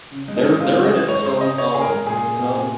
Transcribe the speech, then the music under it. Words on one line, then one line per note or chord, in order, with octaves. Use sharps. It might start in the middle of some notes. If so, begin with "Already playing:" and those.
they're they're in it. So, um, you know?
C#3
G#3
D#4
C#3
G#3 F4
C#3
D#5
C#3
G#3 C#5
C#3 C5
C#3 D#5
C#3 C#5
C#3 G#4
A#4
G#3
A#2 G#4
A#3
A#2
A#2